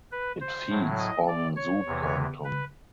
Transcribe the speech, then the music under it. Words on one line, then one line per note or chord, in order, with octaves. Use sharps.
It feeds on zooplankton.
B4
C5
A2 F#3
D#5
D5
C#5
E2 C3 E3
B4